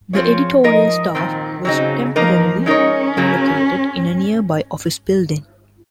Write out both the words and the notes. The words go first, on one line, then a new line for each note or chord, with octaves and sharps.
The editorial staff was temporarily relocated in a nearby office building.
F3 C4 F4 G#4 C#5
F3 G#3 D#4 A#4 D#5
A#2 D#3 F#3 C4
C#3 F#3 C4 D#4
F3 A#3 D#4 A#4
G#3 C#4 D#4 A#4 C#5
C#3 F#3 A#3